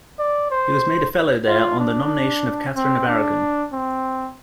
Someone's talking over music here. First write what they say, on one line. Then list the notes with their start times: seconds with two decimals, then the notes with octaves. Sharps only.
He was made a fellow there on the nomination of Catherine of Aragon.
0.19 D5
0.51 C5
1.48 F4
1.80 D4
2.76 C4
3.08 D4
3.73 C4